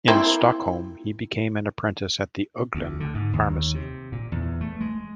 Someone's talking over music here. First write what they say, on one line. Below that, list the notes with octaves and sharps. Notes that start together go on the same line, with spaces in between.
In Stockholm, he became an apprentice at the "Ugglan" pharmacy.
A#3 C4 E4
D2
D3
G#2
D#2
C3
A#2
E2
A3
G#3